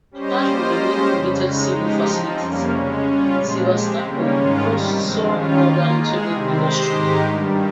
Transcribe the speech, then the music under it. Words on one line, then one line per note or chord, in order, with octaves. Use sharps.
Apart from navy-related civil facilities, Sevastopol hosts some other notable industries.
G3 C#4 G4 C5 D#5
G3 A#3 F4 C5 D#5
G#3 C#4 G4 C5 D#5
F2 C#3 G3
C#3 G#3 D#4
F3 G#3 D#4 G4
F3 C4 D#4
F2 C3 G3 A#3 C#4
C#3 G#3 C#4
G3 C#4 F4
A#2 F3 G#3
G#3 C4 G4
C#3 G3 A#3 C#4
G#2 D#3 G#3 C#4 F4
C3 D#3 G3
G2 F3 G#3 C4
D#3 G3 C#4 F4
D#3 A#3 F4
G#3 D#4 G#4
C3 D#3 G3 C4
G#3 C4 G4 C5 D#5
G#2 D#3 G#3 D#4 G4
G2 D#3 G3